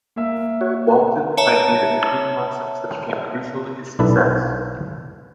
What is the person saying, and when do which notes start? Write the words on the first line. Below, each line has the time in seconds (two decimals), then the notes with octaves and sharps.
Walton pioneered many concepts that became crucial to his success.
0.16 A#3 E5
0.61 F#4 C#5
1.37 C#5 E5 A5 A#5
3.99 B1 D4 E4 A4 B4 A5